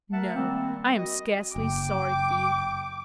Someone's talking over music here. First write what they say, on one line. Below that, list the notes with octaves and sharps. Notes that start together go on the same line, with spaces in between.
No; I am scarcely sorry for you.
A3 A#4 E5 F#5 A5
D#3 G3 A#3 C4
G3 F#4 D#5
F#1 G5 D6